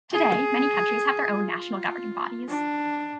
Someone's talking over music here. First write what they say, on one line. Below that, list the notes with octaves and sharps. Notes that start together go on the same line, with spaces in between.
Today, many countries have their own national governing bodies.
G#4
F4
D4